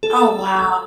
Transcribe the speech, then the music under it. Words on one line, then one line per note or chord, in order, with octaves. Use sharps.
Oh, wow.
A4